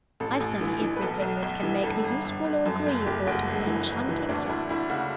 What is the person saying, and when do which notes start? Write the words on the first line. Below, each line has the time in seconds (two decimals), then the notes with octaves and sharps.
I study everything that can make me useful or agreeable to your enchanting sex.
0.20 A1 A4
0.40 A1
0.61 E3
0.81 E3
0.96 B4
1.02 B1 A4
1.22 B1
1.43 B1
1.63 E3
1.83 G1 A4
2.04 G1
2.25 G1
2.44 G1
2.66 F#2 A4
2.86 F#1
3.06 F#1 G4
3.27 F#1 F#4
3.48 G1
3.67 E3
3.88 G1
4.09 E3
4.29 D2 D4
4.49 D2 E4
4.69 D2 E4
4.90 C#3 F#4